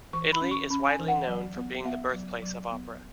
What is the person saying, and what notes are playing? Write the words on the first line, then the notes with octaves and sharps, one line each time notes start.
Italy is widely known for being the birthplace of opera.
E3 C#6
B5
C#4
C#6
C#4 B5
G#5
E3
F#5
F#3
B3
B3 E5
F#3
F#3
B3